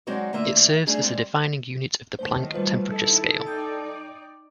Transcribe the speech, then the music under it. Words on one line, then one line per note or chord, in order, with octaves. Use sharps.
It serves as the defining unit of the Planck temperature scale.
F#3 G#3 C4 D#4 F#4 D5
D3 A3 A#3 F4 E5
G3 A3 D4 D#4 G#4
G3 G#3 C4
D#3 F#3 A3 C5 A5
F3 G3 B4
D#4 E4 A4
D#4 D5 G5 D#6 G6